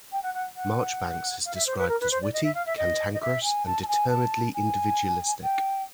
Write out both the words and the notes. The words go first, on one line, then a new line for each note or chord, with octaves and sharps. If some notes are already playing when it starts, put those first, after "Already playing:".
Marchbanks is described as witty, cantankerous, and determinedly individualistic.
G5
F#5
F#5
F#5
F5
E5
C5
B4
A#4
B4
C5
D5
D#5
E5
F5
E5
D#5
D#5
E5
G#5
A5
A5
G#5
A5
G#5
G5